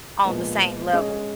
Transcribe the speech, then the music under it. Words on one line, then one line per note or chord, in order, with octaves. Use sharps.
on the same level.
A#2 F3 G#3 B3
G#3 C#4 G#4 D#5